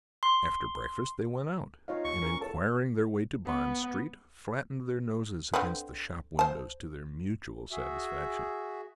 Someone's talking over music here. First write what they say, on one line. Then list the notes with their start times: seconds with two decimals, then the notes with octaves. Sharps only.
After breakfast they went out, and, inquiring their way to Bond Street, flattened their noses against the shop windows to their mutual satisfaction.
0.23 C6
1.88 D#4 F4 C#5 F5
2.04 D#2 C#6
2.22 C#4 A#4
2.41 E2 A4 A5
3.46 B3
5.54 D3 C4 B4
6.39 C5 A5
7.72 F#4 G#4 E5